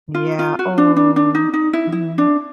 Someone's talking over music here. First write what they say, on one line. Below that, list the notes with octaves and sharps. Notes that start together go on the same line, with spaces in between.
Yeah, ooh. Mhm.
F4
F4
F#4
D4
D4
D4
D#4
D#4
E4
E4
D4